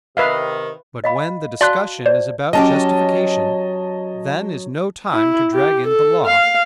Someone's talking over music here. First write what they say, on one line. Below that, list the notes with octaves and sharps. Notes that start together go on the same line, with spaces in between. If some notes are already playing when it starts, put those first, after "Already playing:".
But when the discussion is about justification, then is no time to drag in the Law.
C3 D#3 B4 E5 F5
D#5 F5 B5
F#4 D5 F5 A5 C6 F#6
C5 D5
F#3 C#4 G4 D#5 A5
E4
G4
A4
F5